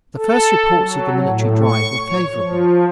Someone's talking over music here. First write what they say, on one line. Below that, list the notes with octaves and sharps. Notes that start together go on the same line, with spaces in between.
The first reports of the military drive were favorable.
A4
F#3
A2
C#6
C#5
F3